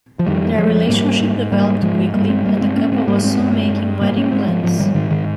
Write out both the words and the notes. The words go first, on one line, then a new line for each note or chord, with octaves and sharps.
Their relationship developed quickly, and the couple was soon making wedding plans.
F3
F2 D#3 G3
F2 F3 G#3
G#2 G3 A#3
G#2
G#2 G3 A#3
G#2 F3 G#3
G2 G3 A#3
G#3 C4
G2 G3 A#3
G#3 C4
G#2 A#3 C#4
G#3 C4
G#2 G3 A#3
G#3 C4
G2
G2
G#2 G3 A#3
A#3 C#4
G#2 G#3 C4
F3
G#2 F3
D#3 G3
G#2 D#3
D#3